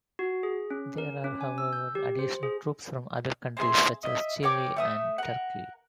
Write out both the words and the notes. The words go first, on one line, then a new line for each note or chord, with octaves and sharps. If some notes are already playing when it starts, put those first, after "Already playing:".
There are however, additional troops from other countries such as Chile and Turkey.
F#4
G#4
C#4
A#4
C#4
G#5
E6
G6
G4
C5
G#4
C4 G#4 E5 C6
D#5 E5
A#4 C#5 G5 D6
A3 E5 D#6
A#4 F#5